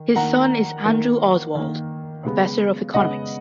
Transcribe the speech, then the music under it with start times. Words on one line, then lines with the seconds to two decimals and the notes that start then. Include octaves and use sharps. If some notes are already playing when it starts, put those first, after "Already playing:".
His son is Andrew Oswald, Professor of Economics.
Already playing: D#3
0.16 D#3 A#3 F#5 A#5
0.85 D#3 A#3
1.55 D#3 A#3
2.25 C#3 G#3 B3
2.94 C#3 G#3 B3 D#5 F#5